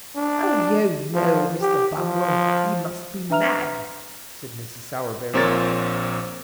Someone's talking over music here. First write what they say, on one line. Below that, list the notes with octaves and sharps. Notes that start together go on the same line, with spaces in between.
'Oh, you know, Mr. Bumble, he must be mad,' said Mrs. Sowerberry.
D4
F3
G4
F3
D4 B4 E5 A#5 F6 F7
A#1 A#2 C4 A#4 C#5 A6